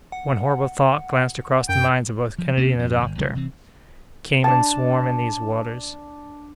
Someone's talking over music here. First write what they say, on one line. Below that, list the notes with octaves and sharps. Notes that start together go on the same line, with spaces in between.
One horrible thought glanced across the minds of both Kennedy and the doctor: caymans swarm in these waters!
F#5
F#2 G5
F3
D2 C3 A#3 C#4
F2 G#2
G1
B1 C#3 F#3 G#3
C3 E3 C4
D4 A5